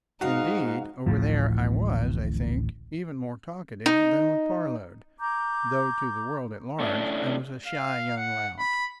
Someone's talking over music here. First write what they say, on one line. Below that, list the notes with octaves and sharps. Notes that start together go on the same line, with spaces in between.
Indeed, over there I was, I think, even more talkative than with Parload, though to the world at large I was a shy young lout.
G#2 D#4 F#4 F5 D#6
D1 A1 A2 F3
D#4
A#5 D6 G6
A3 C#4 D4 E4
F5
F#5
B5